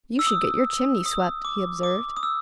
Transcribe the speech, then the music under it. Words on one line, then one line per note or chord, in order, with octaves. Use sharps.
"You should get your chimney swept," he observed.
E6
D#6
D#6
D6
D6
D#6
E6